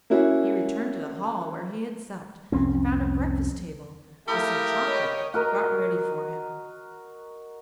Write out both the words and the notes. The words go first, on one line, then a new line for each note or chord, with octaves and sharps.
He returned to the hall, where he had supped, and found a breakfast table, with some chocolate got ready for him.
A#3 C#4 E4 F#4
C2 F2 C4 C#4
A3 E4 G4 A#4 F5 D#6
C#5 D#5
F#4 A#4 D#5 A#5